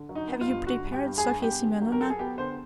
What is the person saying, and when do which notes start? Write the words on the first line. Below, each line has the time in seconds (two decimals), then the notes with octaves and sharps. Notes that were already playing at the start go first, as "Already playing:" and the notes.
"Have you prepared Sofya Semyonovna?"
Already playing: D3
0.09 F#3
0.15 D#4
0.28 B3
0.41 F4
0.47 G2
0.67 D3 F#4
0.85 G2
0.92 G4
1.05 G2
1.18 G#4
1.24 G2
1.42 B3 G4
1.63 D3
1.82 F#3
1.92 A#4
2.00 F#3 A4
2.10 G#4
2.19 B3 G4
2.38 D3 C5